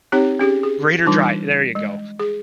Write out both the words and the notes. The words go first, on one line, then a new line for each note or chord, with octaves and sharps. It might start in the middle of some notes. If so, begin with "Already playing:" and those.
greater dry, there you go,
C4 D#4 G4 C#5
C#4 G4 G#4
G#4
E3 G3 D4 D#4 F4
G#3
G#4